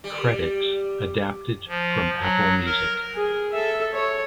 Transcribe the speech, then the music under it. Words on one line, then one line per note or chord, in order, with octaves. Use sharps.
Credits adapted from Apple Music.
G3
F3
F#3
A#4
G#4
A4 E5
C#5